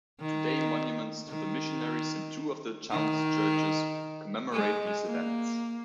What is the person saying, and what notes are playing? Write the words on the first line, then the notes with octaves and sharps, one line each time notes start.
Today monuments to the missionaries in two of the town's churches commemorate these events.
D#3
D#3
D#3
G#3
A#3